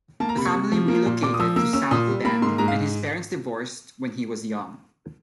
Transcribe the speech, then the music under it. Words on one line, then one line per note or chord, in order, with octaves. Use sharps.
The family relocated to South Bend and his parents divorced when he was young.
A#3 A5
A#5
C3 B5
C#6
C3
F3
A#3
A#2
A#2 D6
D#6
F3 E6
A#3 E6
C#4 E6
A#2 D#6
G3
A#3 B5
G#2 C6
G#2 A#5
F5